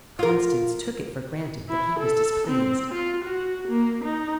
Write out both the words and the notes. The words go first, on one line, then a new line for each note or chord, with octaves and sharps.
Constance took it for granted that he was displeased.
F4 A#4
E4
A4
C4
F4
F#4
A#3
D#4